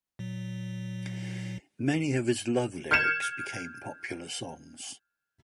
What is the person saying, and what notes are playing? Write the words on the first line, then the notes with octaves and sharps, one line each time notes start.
Many of his love lyrics became popular songs.
A#2 F#3
F6 G6 G#6 C#7 E7